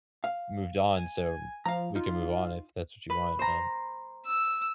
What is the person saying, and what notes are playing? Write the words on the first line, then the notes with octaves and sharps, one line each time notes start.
moved on, so m we can move on if that's what you want, um,
F5
G#5
F3 F5 A#5
D#4 F4
B4
C5 A#5
E6